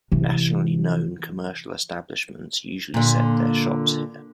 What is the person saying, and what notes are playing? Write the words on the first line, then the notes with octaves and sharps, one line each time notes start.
Nationally known commercial establishments usually set their shops here.
C3 E3
A#2 D3